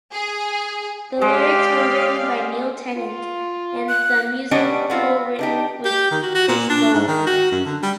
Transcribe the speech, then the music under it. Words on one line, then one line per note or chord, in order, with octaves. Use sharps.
The lyrics were written by Neil Tennant and the music co-written with Chris Lowe.
G#4
G#3 G4 D5 F5 G5
F4
F#6
G3 B3 C#4 D4 D#5
B3 C4 F4
D4 D#4 G4
G4
D#3
F#4
F#4
A#2
D4
G#2
D#3
F#4
F#2
D3
G3